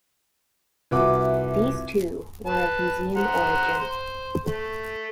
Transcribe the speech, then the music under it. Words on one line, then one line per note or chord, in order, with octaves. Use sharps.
These too, were of museum origin.
C2 F4 F#4 B4 E5 D6
B4 A5
C5 F#5 A#5
C5
A3